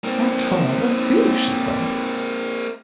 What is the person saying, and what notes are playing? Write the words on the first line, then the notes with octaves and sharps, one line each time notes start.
"Our Tom a thief!" she cried.
A#3 C4